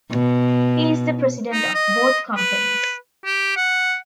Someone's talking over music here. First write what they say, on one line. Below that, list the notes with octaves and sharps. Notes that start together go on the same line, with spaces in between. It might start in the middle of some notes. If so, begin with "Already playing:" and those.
He is the President of both companies.
B2
D#4
D#5
B4
G4
F#5